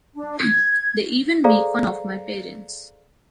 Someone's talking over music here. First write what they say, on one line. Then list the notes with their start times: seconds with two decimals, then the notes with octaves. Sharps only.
They even make fun of my parents.
0.14 D4
0.39 G#6
1.44 G#4 A4 C5 D5 F5 A#5